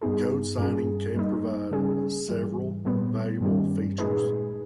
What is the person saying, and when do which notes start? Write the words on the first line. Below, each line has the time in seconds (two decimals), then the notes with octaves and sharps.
Code signing can provide several valuable features.
0.01 G2 G3 B3 D#4 G#4
0.58 G2 G3 C#4 G#4
1.15 G2 G3 A#3 D#4
1.71 C#3 G3 C#4 G#4
2.29 G#2 E3 G3
2.85 A#2 G3 B3
3.41 G2 D#3 G3 C#4 G4
3.98 A#2 G#3 D#4 G#4 B4